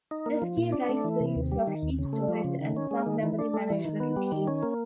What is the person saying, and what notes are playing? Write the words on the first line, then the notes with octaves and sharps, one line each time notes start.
This gave rise to the use of heap storage and some memory management routines.
D#4
A#3
F3
A#2
D4
A3
E3
C3
D#2
G3
D#3
D#2
C#3
A3
F3
C#3
D#3
C#4
G#3
D#3
E3
D4
A3
E3
D#3
B3
G3
D#3
C#4
A#3